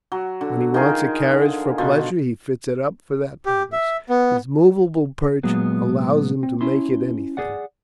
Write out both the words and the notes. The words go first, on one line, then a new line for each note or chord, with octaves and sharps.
When he wants a carriage for pleasure, he fits it up for that purpose; his moveable perch allows him to make it anything.
F#3
D3
D#3 F3 G#4 A#4
D3
B2 F3
G4
E5
B3
A#2 F#3 G#3 B3
C4
C#4 E4 C6
G#4 D5 F#5